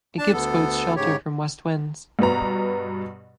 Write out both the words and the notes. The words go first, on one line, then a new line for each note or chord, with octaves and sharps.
It gives boats shelter from west winds.
D4 A5
D2 B3 A4
G#2 C#3 G4 C#5
G2 B2 B3 A#5